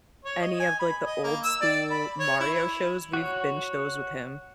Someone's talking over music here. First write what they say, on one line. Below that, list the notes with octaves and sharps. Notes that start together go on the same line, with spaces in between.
any of, like, the old school Mario shows, we've binged those with him.
C#5
D#5
G#5
B5
D#5
A#3
E6
D5
B5
C#5
E4
E4
F#4 C#5